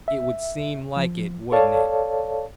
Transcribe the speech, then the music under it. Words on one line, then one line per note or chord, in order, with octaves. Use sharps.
"It would seem like it, wouldn't it."
E5
F3
A4 C#5 D5 F5 A5